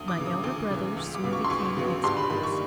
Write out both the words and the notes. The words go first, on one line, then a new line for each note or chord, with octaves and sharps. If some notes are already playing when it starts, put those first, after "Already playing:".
My elder brothers soon became experts.
Already playing: D2 D#6
D6
C#3 E3
D#6
D2 D6
C#3 E3
C#2
D6
C#3 F#3 B3
C#6
C6
C#2 C#6
C#3 F#3 B3
G2 C6
B5
D#3 G3 B5
C#6